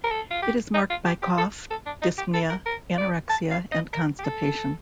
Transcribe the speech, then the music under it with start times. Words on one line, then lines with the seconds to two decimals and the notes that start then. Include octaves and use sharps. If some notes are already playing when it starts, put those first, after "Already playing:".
It is marked by cough, dyspnea, anorexia and constipation.
0.04 A#4
0.11 A4
0.31 F4
0.43 G4
0.74 D#4
0.90 F4
1.06 G4
1.22 G4
1.38 A4
1.70 A4
1.86 D4
2.02 D#4
2.18 G4
2.34 A4
2.50 A#4
2.66 A#4
2.98 D5
3.29 A5
3.51 F5
3.72 D#5
3.93 A#4
4.19 G4
4.25 A4